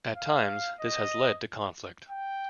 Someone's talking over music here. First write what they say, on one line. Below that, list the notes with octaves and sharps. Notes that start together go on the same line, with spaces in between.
At times, this has led to conflict.
F5
D#5
G5